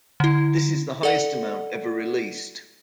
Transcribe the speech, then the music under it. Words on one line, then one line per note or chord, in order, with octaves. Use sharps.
This is the highest amount ever released.
D3 E4
A4 D5 F#5